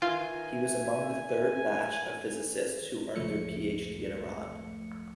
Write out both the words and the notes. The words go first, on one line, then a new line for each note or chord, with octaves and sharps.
He was among the third batch of Physicists who earned their Ph.D. in Iran.
D#3 E3 F4 E5 G#5
C#2 F#2 A2 F3 A3 C#7